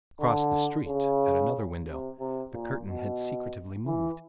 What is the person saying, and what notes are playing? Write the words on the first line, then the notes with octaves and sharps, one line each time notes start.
Across the street, at another window, the curtain had secretively moved.
D3
C#3
C3
C3
A#2
B2
E3